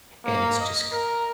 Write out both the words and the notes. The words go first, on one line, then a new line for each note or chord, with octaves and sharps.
and it's just c
A#3
D#5
A#4